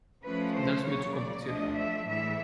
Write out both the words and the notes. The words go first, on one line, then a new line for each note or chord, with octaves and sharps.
Das ist mir zu kompliziert.
F3 A3 C#4 B4
C5
C#3 F#3 A#3 C#5
D5
F3 A3 D4 D#5
E5
A2 E3 G#3 E5